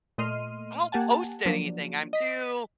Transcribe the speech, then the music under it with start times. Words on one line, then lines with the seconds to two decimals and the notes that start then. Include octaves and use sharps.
I don't post anything, I'm too
0.18 A#2 A3 D#5 C6 F6 D#7
0.92 A#3 G4 F#5 G#5 A5
1.45 F3 F#3 A#3 D4
2.13 D#5 B6